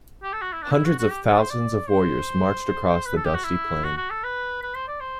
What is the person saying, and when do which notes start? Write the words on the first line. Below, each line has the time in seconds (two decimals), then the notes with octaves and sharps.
Hundreds of thousands of warriors marched across the dusty plain.
0.23 G4
0.33 A4
0.42 F#4
0.53 E4
0.62 D4
0.71 E4
0.85 F#4
0.98 F#4
1.10 G4
1.30 A4
1.40 C5
1.50 D5
1.89 C5
3.06 B4
3.16 A4
3.25 G4
3.35 F#4
3.44 E4
3.84 F#4
3.97 F#4
4.11 A4
4.24 B4
4.62 B4
4.75 C5
4.88 D5
5.00 C5